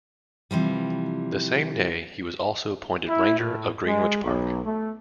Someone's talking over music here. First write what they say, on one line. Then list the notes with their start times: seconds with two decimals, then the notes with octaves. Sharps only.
The same day he was also appointed Ranger of Greenwich Park.
0.51 C3 E3 F3 G3
3.09 E4
3.38 A2
3.86 G#3
4.24 B1
4.65 A3